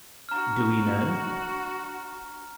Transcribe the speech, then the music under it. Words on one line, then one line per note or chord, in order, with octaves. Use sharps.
Do We Know!?
D4 F#4 A#5 F6